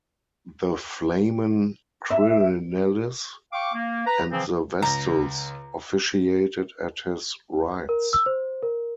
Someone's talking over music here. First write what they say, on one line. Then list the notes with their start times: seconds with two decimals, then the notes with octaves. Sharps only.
The "Flamen Quirinalis" and the Vestals officiated at his rites.
2.10 E5
3.52 F5 G5 C#6 D6
3.74 A#3
4.05 B4 A#5
4.31 C#3 E3 F3 C4
4.82 C#2 A#5
7.89 A#4
8.13 E6
8.26 C5
8.63 A#4